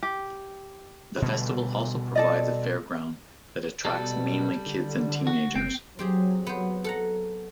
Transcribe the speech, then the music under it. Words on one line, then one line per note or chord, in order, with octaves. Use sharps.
The festival also provides a fairground that attracts mainly kids and teenagers.
G4
B2 D3 G3
A4 D5 D#5
B2 G3 A4
D3
F#4
F#1 C4 G5
F#3 C4 G4 G#4
B3 C5
A4 F#5 A#5